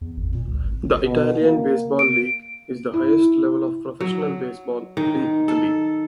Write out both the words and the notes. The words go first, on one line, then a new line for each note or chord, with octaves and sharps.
The Italian Baseball League is the highest level of professional baseball in Italy.
E2
G#1
A#2
C#2
G#1
B2
A#3
D7
E4
F#3
D#3
A4